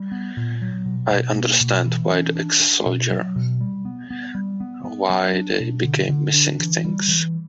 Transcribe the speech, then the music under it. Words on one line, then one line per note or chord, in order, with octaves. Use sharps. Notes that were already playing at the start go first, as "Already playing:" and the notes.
I understand why the ex-soldier, why they became missing things.
Already playing: G3
B3
A#2
F#3
B2
B2
A#3
B2
E3
C#4
D4
D4
B2
F#3
B2
G3
B3
B3
G3
B3
B3
F#3
D4
B2
D3
D3
D4
E3
G3
E3